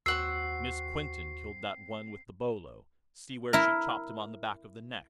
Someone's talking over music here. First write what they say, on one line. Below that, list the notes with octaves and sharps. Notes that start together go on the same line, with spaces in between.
Miss Quinton killed that one with the bolo; see where she chopped him on the back of the neck?
D#2 C4 F#4 F#5 C#6 E6 C7
E4 A#4